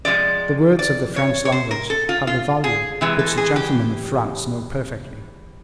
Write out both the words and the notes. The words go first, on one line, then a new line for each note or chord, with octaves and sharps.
The words of the French language have a value which the gentlemen of France know perfectly.
C3 F3 G#3 D5
D5
C#5
C#5
C5
A#4
A4
F4
F4
G#4
C3 E3 G#3
A4
G#4
G4